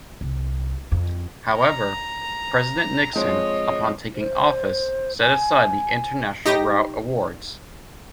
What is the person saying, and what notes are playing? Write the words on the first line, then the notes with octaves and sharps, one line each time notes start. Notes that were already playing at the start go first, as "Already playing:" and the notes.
However, President Nixon, upon taking office set aside the international route awards.
C2
F2
A#5
F3 G#3 C4 C#5 D#5
C5
G#5
D#4 G4 A#6